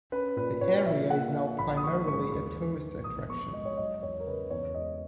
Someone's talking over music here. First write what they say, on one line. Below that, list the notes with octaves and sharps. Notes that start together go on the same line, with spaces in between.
The area is now primarily a tourist attraction.
C#4 B4
A#2 B4
A#2 C#5
A#2 E5
A#3 F#5
A#3
A#1 B5
D#6
G#3 C#6
G#2 C#6
D#2 C#6
D#3
G#3
A#1 D#6
B3 C#6
G#2 D#5
C#5
F#3 D#5
E2 C#5
A#4
C#3 B4
E2 C#5
G#3 D#5